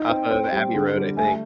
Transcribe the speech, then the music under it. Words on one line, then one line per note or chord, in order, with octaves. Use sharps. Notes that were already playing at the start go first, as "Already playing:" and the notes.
Off of Abbey Road, I think.
Already playing: D#4
C4 G5
C4
G3
D3
G3
A3 G#5